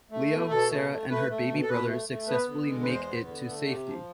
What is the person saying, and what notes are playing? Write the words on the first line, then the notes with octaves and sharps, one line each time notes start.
Leo, Sarah and her baby brother successfully make it to safety.
A3
B2
B2 A4
A3
A3
A3 B4
A3
B2
A4
B2 B4
A3
A3
B3 B4
D3
G#3
B4
E2 C5
B3
D3
A3
C3
F3